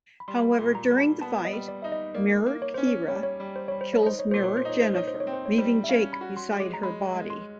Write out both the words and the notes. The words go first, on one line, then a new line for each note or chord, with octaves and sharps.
However, during the fight, mirror Kira kills mirror Jennifer, leaving Jake beside her body.
B5
G3 C6
B5
A#2
A#5
G3
A5
B3 A5
D#5
G3
D5
D#4 E5
D#5
A#3 D5
A#3
C#5
C#4 C5
C#5
G3 C#5
D5
C#5
G3
C5
G3 C#5
C5
C#5
D#4 C5
C#5
A#2 C5
C#5
C5
D#4 C#5
C5
D#4 C#5
C5
C#5
C4
C5
C#5
G3 C5
E5
C#4 F5
B5
F#4
C6
G#3
D6
A#5
G#3 B5
G#3
C6